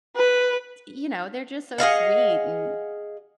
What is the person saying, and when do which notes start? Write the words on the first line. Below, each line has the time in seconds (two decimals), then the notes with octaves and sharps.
t you know, they're just so sweet, and,
0.16 B4
1.78 G#4 D#5 F5 F#5